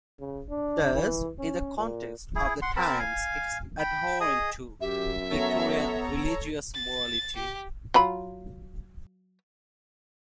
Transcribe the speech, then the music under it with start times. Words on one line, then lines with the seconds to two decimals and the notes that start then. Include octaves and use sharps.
Thus, in the context of the times, it is abhorrent to Victorian religious morality.
0.20 C#3
0.50 D4
0.94 E3
1.39 C#4
1.77 A#2
2.36 E4 G#4
2.62 F#5 C6
2.76 C4 A#4 A5 B5
2.99 F5 G#5
3.79 G5 B5
4.21 G#4 D#5 D#6
4.81 F#2 G4 E5
5.30 B3 A4 C#5 A#5
6.74 A6
7.36 G4
7.94 F#3 F4 B5